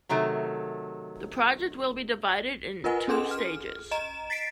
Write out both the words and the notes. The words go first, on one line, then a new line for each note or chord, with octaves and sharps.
The project will be divided in two stages.
C3 D#3 F#3 A3
F4 A#4 B4 D#5 F#5 G#5
C#4 G#4 A4 C6 E7
F6
D#5 A#5 E7
A6 B6 C7 D7